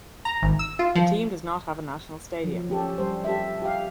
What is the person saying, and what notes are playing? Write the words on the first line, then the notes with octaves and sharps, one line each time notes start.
The team does not have a national stadium.
A#5
G#1
E6
F4
F3
F3 F#3
C#4 G4 A4
G3 C5
G4 A4 E5
G4 F5